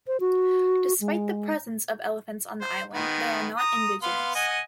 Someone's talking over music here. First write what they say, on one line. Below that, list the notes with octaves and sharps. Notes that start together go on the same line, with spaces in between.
Despite the presence of elephants on the island, they are not indigenous.
C5
F#4
G#3
C5
D#3 G#3 B3
A#5 D#6
B3 F5 C6
D#5 F#5 G#5